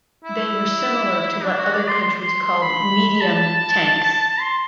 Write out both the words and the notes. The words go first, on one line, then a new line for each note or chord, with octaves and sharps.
They were similar to what other countries called medium tanks.
E4
D4
F#4
D5
C6
C6
C6
C6
B5
A5
C6